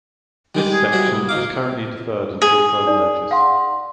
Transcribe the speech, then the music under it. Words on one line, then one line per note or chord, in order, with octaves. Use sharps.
This section is currently deferred until further notice.
G3 G#3 G4
G#4
G3 F#4 E5
C2
D2 D#4 F5 D6
G#4
D#4 D5
F5 F#5 C6